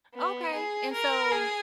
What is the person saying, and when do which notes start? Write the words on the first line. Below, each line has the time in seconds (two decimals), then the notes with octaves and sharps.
Okay, and so,
0.14 B3
0.54 G#4
0.93 A#4
1.32 G#4